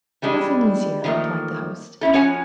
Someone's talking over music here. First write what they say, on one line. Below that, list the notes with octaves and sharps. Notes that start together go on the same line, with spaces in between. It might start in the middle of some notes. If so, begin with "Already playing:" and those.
"Nothing easier," replied the host.
E3 G3 G#3 D4
D#3 F3 F#3 A3 A#3
B3 C#4 E4 A4
F3 C#4 F#4 C#5 F#5 G#5